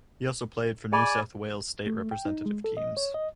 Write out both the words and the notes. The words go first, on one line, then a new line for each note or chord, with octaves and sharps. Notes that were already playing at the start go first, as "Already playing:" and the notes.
He also played for New South Wales state representative teams.
G#4 D5 D#5 G#5 B5
A3
G5
D#4
G#3
A4
D#5
C#5
D#5